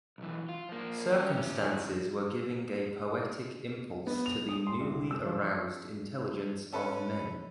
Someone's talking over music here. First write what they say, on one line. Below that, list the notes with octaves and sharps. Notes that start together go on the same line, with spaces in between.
Circumstances were giving a poetic impulse to the newly-aroused intelligence of men.
B1 E3
F4
F3 A#3
C#4 G4
D#2 G#4
B3
F7
D#6
C6
C2
E6
F3
C#4 A4 B4